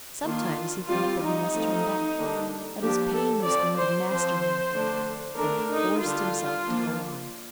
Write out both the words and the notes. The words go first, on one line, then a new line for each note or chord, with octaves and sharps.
Sometimes he felt that he must turn back--that his pain was going to master him; then he forced himself to go on.
D#3 A#3 D4 F4
G3 C4 F4
D#4
F3 A3 C4
D3 G3 A#3 D4
F3 A#3 D4 G4
A4
F3 C4 D5
C5
F3 C4 C5
D3 A3 D4
D3 A3 D4 A#4
D#4
D3 G3 D4 F4
F3 A#3 D4